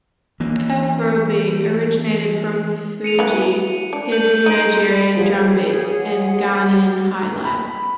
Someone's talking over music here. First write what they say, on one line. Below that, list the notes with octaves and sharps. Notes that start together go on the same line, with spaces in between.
Afrobeat originated from Fuji, heavy Nigerian drumbeats, and Ghanaian highlife.
E3 A#3
C#7 D#7 F7
E3 B3
D4
G6 F#7
D#4 G6 D7 D#7
D5 B5
F3 G#4 C#5 F#5
B5